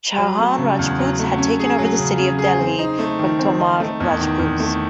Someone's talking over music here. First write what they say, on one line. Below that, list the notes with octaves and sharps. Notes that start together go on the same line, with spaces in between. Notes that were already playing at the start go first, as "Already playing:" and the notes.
Chauhan Rajputs had taken over the city of Delhi, from Tomar Rajputs.
F#3
A3
C#3
E2
F#3
A3
C#4
G#4
F#3
C#3
C#4
G#4
C4
D#4
A3
D#3
C4
D#4
A3
E2
D#3
E2
A3